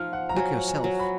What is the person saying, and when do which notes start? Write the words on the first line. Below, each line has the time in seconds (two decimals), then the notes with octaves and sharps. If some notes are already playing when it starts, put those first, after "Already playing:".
Look yourself.
Already playing: F3 D#4 F6
0.13 F#5
0.29 A#5
0.36 F#3 G#5
0.68 G#5
0.84 F#3
0.99 B5